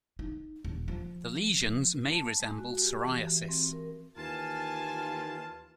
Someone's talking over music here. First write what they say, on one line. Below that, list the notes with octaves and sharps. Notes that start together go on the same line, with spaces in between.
The lesions may resemble psoriasis.
D#4
D#1
F3
A5
G#3
F#4
G4
E3
C4
A#4
D#2 E3 A#3 F4 G#5 A5